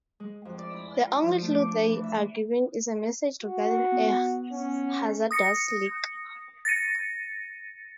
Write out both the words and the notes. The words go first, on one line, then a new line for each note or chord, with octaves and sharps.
The only clue they are given is a message regarding a hazardous leak.
G#3
F2
D5
E4
F4
F3
A3
D6
D4
E3
E5
F#4
B3
C#4
D#6 A#6 C#7
A6 A#6 C#7 D#7